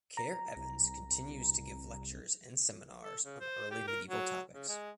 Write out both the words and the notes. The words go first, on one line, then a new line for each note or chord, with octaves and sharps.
Care Evans continues to give lectures and seminars on early medieval topics.
A#5
C2
A4
C#3
C5
G4
A#4
F#3
C#3
G#3